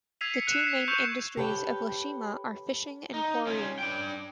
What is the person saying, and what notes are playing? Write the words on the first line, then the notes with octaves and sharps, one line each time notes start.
The two main industries of Ieshima are fishing and quarrying.
E6 G#6 B6 C7 D#7 F7
G#6 B6 C#7
F#6 C#7 E7
B6 F7
C#6 E6 G6 F7
G4 A4 B4 C#5 F#5 G5
D#4
C#4 F4
D4 G5